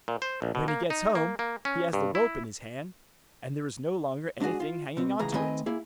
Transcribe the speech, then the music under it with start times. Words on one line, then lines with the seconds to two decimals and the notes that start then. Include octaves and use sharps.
When he gets home, he has the rope in his hand, and there is no longer anything hanging on to it.
0.08 A#2
0.22 C5
0.42 A#1
0.55 B2
0.68 A#3
0.90 D#4
1.15 A#3
1.39 A#3
1.65 C#4
1.93 G2
2.15 E4
4.40 G#2 D4 D#4 F#4 G#4
4.60 F4
4.97 B2 C4
5.19 C#2 A2 E3 G#4 A#5
5.34 D#3 A3 C4 B4 D#5 G#5
5.66 A#3 E4 G#4